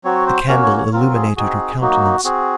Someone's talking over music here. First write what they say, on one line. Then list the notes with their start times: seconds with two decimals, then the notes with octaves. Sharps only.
The candle illuminated her countenance.
0.04 F#3 C4 F#4 C#5
0.27 C5
0.48 A#3 C#4 F#4 A#4
0.63 C#5
0.77 C#5
0.92 F#3 C4 F4 A#4
1.15 G#4
1.36 C4 D#4 F#4 G#4
1.81 F#3 A#3 D#4 F#4
2.24 C4 F#4 G#4